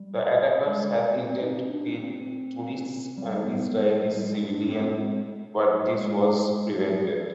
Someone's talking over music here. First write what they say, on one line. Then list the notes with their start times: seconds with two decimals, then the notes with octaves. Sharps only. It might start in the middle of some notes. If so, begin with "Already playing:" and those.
The attackers had intended to kill tourists and Israeli civilians, but this was prevented.
Already playing: G3
0.66 G#3
1.16 C4
1.41 D#4
1.67 D4
1.92 C4
3.18 G3
3.43 B3
3.68 G#3
3.93 G3
4.11 G3
4.18 G#3
4.44 D4
4.69 C4
4.94 G#3
5.95 G#3
6.71 G3